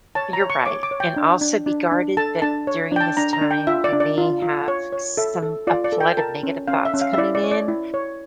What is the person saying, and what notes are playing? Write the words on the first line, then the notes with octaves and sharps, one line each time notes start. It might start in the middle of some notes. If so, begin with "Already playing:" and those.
you're right and also be guarded that during this time you may have some a flood of negative thoughts coming in,
C#5 A5
A#5
C#5
C#6
C#5 D6
D6
C#5
G5
D4
D4
D4
D4
A4 A5
D4 A5
C#5
D4 G5
A5
D4 A#5
A#5
D4
G5
F4 E5
D5
D4
D5
F4
F4
C#5
C#5
A4 E5
A4
F4 D5
D5
A4
G5
A#4 A5
C#4
C#4 F5
E5
C#4
F5
E5
E4 D5
D5
C#5
D5
E4
C#5